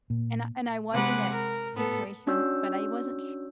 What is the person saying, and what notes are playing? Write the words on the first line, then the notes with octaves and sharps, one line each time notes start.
And and I was in that situation, but I wasn't su
A#2
C3 G#3 B4 F#5 D6 F#6
A#4
A2 B3 A4
C#4 D4 F#4 C#5 E6 G6